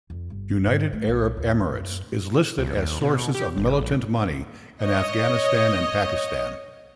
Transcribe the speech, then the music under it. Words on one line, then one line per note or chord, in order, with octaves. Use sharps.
United Arab Emirates is listed as sources of militant money in Afghanistan and Pakistan.
F2
G1
G#2
A3
B1
D#2
F#2
C#2
D#2
B2
G4
G#1
A#1
C#5 D#5